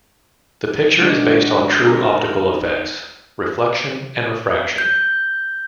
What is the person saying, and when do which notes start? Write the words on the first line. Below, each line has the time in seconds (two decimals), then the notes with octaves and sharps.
The picture is based on true optical effects, reflection and refraction.
0.98 D3 G#3 D4 F#4
1.80 A4 A#4
2.39 D#4
4.78 G6